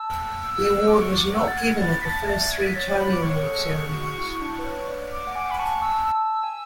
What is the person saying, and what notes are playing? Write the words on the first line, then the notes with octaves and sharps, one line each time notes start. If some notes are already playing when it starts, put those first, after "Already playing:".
The award was not given at the first three Tony Award ceremonies.
Already playing: A5 E6
E6
D6
C#6
D6
D6
F#5 E6
A6
G#6
B5 A6
B6
A5 A6
E5
D5 A6
G#6
B6
C#5 A6
B5
D6
C#5 C#6
G#4
A4
G#4
F#4
E4
D4
B4
C#5
D5
D6
F#5
G#5 D6
G#5 B5
A5 C#6
A5 E6
A5 E6
G#5